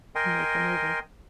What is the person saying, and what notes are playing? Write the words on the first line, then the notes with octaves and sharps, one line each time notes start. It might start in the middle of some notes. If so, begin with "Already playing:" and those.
And make a movie.
A#4 D#5 G5 G#5 C6